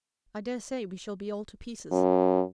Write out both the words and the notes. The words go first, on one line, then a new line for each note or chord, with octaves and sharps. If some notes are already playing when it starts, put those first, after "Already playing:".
I dare say, we shall be all to pieces.
F#2